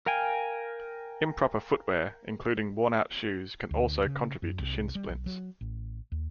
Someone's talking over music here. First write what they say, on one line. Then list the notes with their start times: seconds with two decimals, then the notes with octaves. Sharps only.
Improper footwear, including worn-out shoes, can also contribute to shin splints.
0.06 A#4 F5 G5 G#5
3.71 D2
4.06 C#3
4.42 F#2
4.59 C2
4.95 G3
5.08 B1
5.26 F#3
5.61 A1
6.12 D#2